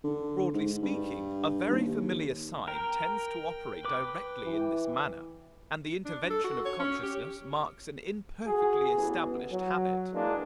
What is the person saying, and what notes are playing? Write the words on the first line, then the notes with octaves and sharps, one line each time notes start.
Broadly speaking, a very familiar sign tends to operate directly in this manner, and the intervention of consciousness marks an imperfectly established habit.
D3
G#2
G2
D#2
A#4 G5
B4 D6
E3
D4
A4
F#4
C#5
C#4
G4
F#4 G#4
A1 E3 B3
F#3
E3 G#3 A#3 D4